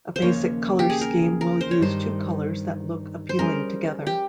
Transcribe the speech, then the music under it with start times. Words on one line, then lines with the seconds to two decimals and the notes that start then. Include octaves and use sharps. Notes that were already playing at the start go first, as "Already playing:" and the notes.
A basic color scheme will use two colors that look appealing together.
0.16 C5
0.22 D#2 C#3 F3 A#3 C#4 C#5
0.79 G4
0.90 G#4
1.01 A#4
1.41 A#4
1.61 C5
1.71 C#5
1.81 G2 D#3 G3 C5
3.29 C5
3.39 G3 C#4 G#4 A#4
4.07 G4